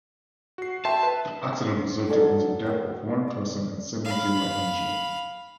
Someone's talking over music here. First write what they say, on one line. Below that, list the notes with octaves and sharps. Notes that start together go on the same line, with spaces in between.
The accident resulted in the death of one person and seventy were injured.
F#4 C7
E5 G5 A5 C6
B4 E5
E2 A#2 F#3 A4 D5 D#5
D#3 F#4
D5
F5 B5